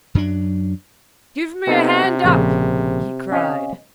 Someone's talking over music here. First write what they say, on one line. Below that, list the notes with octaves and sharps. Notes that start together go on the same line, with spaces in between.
"Give me a hand up!" he cried.
F#2 F#3 C4 D4
C3 B3 D#4 A4
A#1 C#3
C#4 D#5 F5